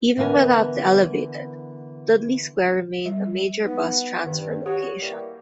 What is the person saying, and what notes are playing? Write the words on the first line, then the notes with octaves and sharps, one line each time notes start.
Even without the Elevated, Dudley Square remained a major bus transfer location.
D3 E3 B3 A#4 G#5
G3
B3 D#4
G2 D#3
F#4 G4 C#5
E3 G3 A#3